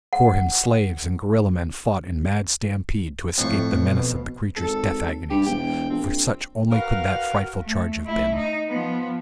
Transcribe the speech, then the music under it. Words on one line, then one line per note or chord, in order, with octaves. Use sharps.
Before him slaves and gorilla-men fought in mad stampede to escape the menace of the creature's death agonies, for such only could that frightful charge have been.
F#5
F2 A2 C#6
B2
G#1 A4
G2 G4
E1 G5
A#1 C4
F#4 A#4 B4 F5
A3
A3 E4
D#4
F3 B3